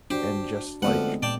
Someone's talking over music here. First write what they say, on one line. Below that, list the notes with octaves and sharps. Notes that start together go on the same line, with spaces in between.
and just, like
D4 F#4 G4 C5
D2 F3 G#3 B3 C4 F#5
A#2 D5 G5 A5